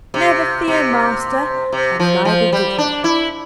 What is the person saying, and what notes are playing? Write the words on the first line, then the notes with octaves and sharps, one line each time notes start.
"Never fear, master!" and neither did he.
C3
C3
C3
F3
F3
G3
D4
E4